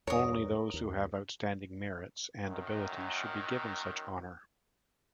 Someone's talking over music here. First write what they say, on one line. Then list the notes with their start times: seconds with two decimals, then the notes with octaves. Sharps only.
Only those who have outstanding merits and abilities should be given such honor.
0.07 E2 G2 A#4 C#5 D#6
0.74 D#2
2.45 F#2 D#3